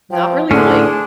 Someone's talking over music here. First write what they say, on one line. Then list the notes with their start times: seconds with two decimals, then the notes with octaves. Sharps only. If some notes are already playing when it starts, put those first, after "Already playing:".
not really, like,
0.11 F3 G5
0.51 A2 D3 C#4 D4 G#4 C6